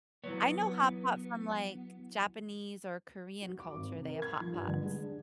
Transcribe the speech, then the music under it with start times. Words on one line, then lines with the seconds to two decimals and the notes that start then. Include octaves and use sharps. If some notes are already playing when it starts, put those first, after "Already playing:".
I know hot pot from, like, Japanese or Korean culture, they have hot pots.
0.24 E3 F#3 B3 C#5
3.42 F#4
3.60 D6
3.74 G#1
3.94 C3
4.09 A#4
4.22 G#6
4.40 F3
4.52 G2
4.68 D3
4.83 G#3
5.02 D4